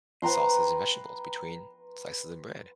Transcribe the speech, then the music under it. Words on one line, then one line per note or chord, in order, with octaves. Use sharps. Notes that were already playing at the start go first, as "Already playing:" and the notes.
sauces, and vegetables between slices of bread.
B4 G5 A#5 C6